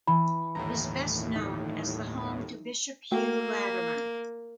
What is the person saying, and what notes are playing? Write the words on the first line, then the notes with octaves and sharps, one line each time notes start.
It is best known as the home to Bishop Hugh Latimer.
E3 B5
G1 D#2 A2 A#5
D#4
A3 A#3 F#4 G5